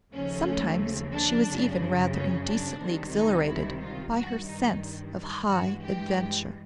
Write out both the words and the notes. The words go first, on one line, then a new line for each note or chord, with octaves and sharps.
Sometimes she was even rather indecently exhilarated by her sense of high adventure.
D#2 C#3 F3 A3 C#4
D4
F#2 C#3 F#3
C#4
D4
C#2 C3 D#3 G3
D#4
E4
F4
G2 D#3 G3 F#4
D#4
G2 E3 G#3 F#4
G4